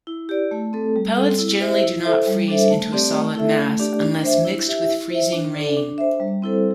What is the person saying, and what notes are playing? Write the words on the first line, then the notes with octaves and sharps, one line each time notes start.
Pellets generally do not freeze into a solid mass unless mixed with freezing rain.
E4
G4 D5
A3
C4 A4
G3
C4 A4
E4
G4 C5 E5
E4
A4 C5 E5
G3
D4 A4 C5 E5
A3
C4 G4 D5
A3
E4 A4 E5
A3
D4 G4 D5
D4
C5 E5
E4
G4 E5
E4
C5 E5
D4
A4 D5
D4
C5 E5
G3
C4 E4 A4 C5